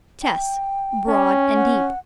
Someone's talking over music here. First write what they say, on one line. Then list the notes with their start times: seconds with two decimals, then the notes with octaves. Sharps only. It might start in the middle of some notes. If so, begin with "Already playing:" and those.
CHEST--Broad and deep.
0.23 G5
1.08 C#4
1.56 F#5